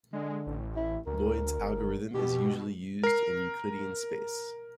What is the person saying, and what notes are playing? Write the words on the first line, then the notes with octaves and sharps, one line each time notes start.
Lloyd's algorithm is usually used in a Euclidean space.
D3 G#3
A1
E4
D2 A#4
G1
B2 G4
A#4 C7